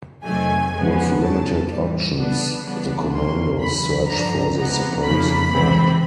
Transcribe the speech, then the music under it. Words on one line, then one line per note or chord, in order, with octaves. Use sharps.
With limited options, the commandos search for the supposed bomb.
F2 C3 D#3 F#3 A3 G#5
C#3 F3 G#3 B3
E2 C#3 F#3 A5
A2 E3 G3
D3 G3 B3 D4
C#3 E3 G3 B3 D4
B2 F#3 A#3 C6
E2 C#3 F#3 B5
G2 D3 F3 A#5
C3 F3 G#3 B3 A#5
F2 C#3 F3 A#3 B5
C3 E3 G#3 C4